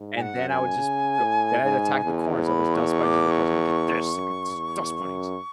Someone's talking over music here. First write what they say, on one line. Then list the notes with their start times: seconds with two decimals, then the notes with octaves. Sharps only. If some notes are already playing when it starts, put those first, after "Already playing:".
And then I would just go then I'd attack the corners, so there's dust bunnies in the corners. "I'm gonna get this! I get these dust bunnies!"
Already playing: G#2
0.16 G#5
0.21 F#5
0.35 F#2
0.49 G#5
0.77 C#3
1.20 A2
1.61 G#2
2.04 E2
2.45 B5
2.74 C#6
3.02 D6
3.30 C#6
4.15 F#2
4.56 E2
4.99 F#2